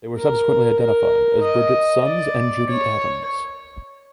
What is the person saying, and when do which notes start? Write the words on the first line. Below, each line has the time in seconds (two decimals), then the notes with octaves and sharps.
They were subsequently identified as Bridget Sons and Judy Adams.
0.17 A#4
0.79 A#4
1.42 D#5
2.05 D5
2.69 C#5